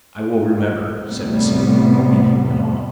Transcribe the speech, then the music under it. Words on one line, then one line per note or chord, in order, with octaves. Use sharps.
'I will remember,' said Vassili, and he went on.
A2 C3 G3 B3